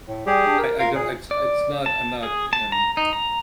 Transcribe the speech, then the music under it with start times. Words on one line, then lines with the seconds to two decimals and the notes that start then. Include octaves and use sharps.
I I don't it's it's not I'm not, eh, mm,
0.07 A2
0.27 G3 G4 G#4
0.46 D4
0.58 A#4
0.79 F4 A#4 F5
0.95 A#2 G#4
1.31 D5
1.86 A5
2.23 G#4
2.53 A5
2.72 A#5
2.97 D#4
3.13 A#5